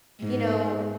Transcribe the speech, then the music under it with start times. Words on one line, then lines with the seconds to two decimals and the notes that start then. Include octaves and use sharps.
you know,
0.21 G#2